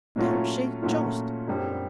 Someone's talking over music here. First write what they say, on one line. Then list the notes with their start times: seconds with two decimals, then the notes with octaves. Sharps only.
Don't she just!
0.16 A#2 F#3 A3 C#4 F4
0.82 A#2 F#3 A3 C#4 F4
1.47 F#2 D3 G3 C4